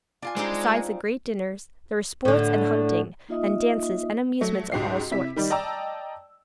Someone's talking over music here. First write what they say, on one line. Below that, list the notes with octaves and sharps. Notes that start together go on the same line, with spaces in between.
Besides the great dinners, there were sports and hunting, and dances, and amusements of all sorts.
D4 F4 G#5
G#3 C4 D#4 G4
A2 D3
A#3 D#4 F4 D#5 E5 D#6
F#3 A3
C#2 G#2 F#4 G4 C7
C3 E4 B6
D#3 G3 D#4 D5
D5 D#5 G5 A5 A#5 E6